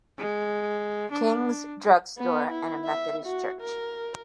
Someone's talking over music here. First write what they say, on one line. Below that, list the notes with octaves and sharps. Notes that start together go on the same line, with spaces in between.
King's drug store, and a Methodist church.
G#3
D4
B3
E4
E5
F#4
A#4